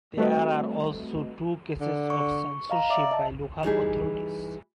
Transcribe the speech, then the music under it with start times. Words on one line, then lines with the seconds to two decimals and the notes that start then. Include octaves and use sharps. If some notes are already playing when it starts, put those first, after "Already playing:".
There are also two cases of censorship by local authorities.
0.17 G3 A3 C4 F#4 B4 D#5
1.81 D3
2.10 C#6
2.70 D#5 F5 A#5
2.90 D5 E5
3.11 D#5 A5
3.63 E3 G3 D#4 G#4